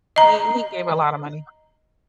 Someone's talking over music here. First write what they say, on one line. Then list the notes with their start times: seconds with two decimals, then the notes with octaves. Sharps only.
he he gave a lotta money.
0.16 D#5 A#5